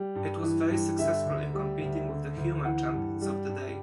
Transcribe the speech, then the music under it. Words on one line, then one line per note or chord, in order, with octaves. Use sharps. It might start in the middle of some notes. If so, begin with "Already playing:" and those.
It was very successful in competing with the human champions of the day.
Already playing: G3
G2
E3
G2
D3 E5
D2
G3
D2
D3
D2
E3 F#5
G2
G3
G2